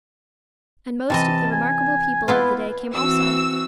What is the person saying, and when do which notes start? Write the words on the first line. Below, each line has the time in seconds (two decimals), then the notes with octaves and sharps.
And most of the remarkable people of the day came also.
1.10 C3 E3 D#5 A5
1.51 G#5
2.28 B3 E4 F4 B4
2.95 E3 C4 F#4 E6